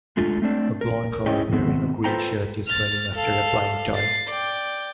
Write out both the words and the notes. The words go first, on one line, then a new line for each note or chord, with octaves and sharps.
A blond boy wearing a green shirt is running after a flying toy.
G#3 A3 D4 F4
A3 C4 D4
A#4
C#4 E4 G#4 C#5 D#5 G5
B2 D#3 B3 C4
F4 A4 B4 C5 G5 A#5
F6 A6
A4 F5
A6 C7
D5 G5